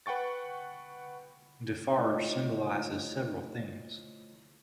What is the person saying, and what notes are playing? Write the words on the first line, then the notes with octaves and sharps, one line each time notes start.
Defarge symbolizes several themes.
B4 F#5 G5 C#6 A6
A3 E4 F4 C5 C#5 D#5